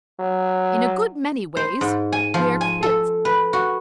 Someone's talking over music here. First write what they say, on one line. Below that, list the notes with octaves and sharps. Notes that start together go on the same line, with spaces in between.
In a good many ways, we're quits.
F#3
C5
G#2
G#5
F3
G#5
A4
B4
F#4